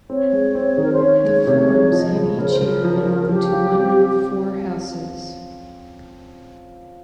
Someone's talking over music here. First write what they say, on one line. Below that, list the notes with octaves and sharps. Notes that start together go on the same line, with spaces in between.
The forms in each year belong to one of four houses.
C4 C#5
G#3
C4
D#3 G#4
A#4
C5
C#4 C#5
G#3
C3
G#3
F3 D#5
D#5
C#3 C#5
C#3 A#4
C5
C#3 A#4
F3
F3
F3 G4
F4
C4